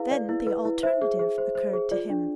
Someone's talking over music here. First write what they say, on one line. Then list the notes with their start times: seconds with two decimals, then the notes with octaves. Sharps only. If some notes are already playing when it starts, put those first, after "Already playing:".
Then the alternative occurred to him.
Already playing: E4 G#4 B4 F5
0.11 D5
0.29 E4
0.47 B4
0.65 E4
0.83 C5 E5
1.01 G#4
1.19 G#4
1.38 C5
1.55 C5
1.74 G#4
1.91 F4 D5
2.10 D4